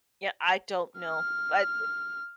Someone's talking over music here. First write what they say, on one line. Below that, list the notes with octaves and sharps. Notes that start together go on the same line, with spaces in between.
Yeah, I don't know, but i
F6